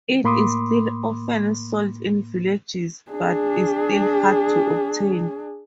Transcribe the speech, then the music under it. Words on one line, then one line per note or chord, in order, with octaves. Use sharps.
It is still often sold in villages, but is still hard to obtain.
A2 A#3 B5 C6 D6 D#6
D4 G#4